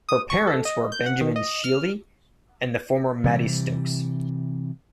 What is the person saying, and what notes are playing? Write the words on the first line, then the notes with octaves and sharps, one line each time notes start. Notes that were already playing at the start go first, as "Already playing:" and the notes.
Her parents were Benjamin Shealey and the former Mattie Stokes.
D#6
C#6
A4
D#5
G6
F#5
D#3
D#5
F6
C3 E3 G3